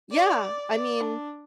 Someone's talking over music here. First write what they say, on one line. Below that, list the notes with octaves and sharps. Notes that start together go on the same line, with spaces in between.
Yeah! I mean,
D5
D5
D4